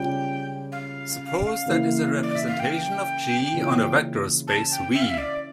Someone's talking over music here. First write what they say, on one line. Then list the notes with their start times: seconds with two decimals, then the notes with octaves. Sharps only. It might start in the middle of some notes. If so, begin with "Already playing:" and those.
Suppose that is a representation of "G" on a vector space "V".
Already playing: C#3 G3 C#4 F4 G5
0.72 F5
1.66 C#3 E3 A#3 E4
2.23 D5
2.35 E5
2.47 F5
2.60 G5
3.54 C#3 E3 A#3 C#4 F4
4.48 A5
4.72 G5
4.95 E5
5.02 F5
5.10 E5
5.18 D5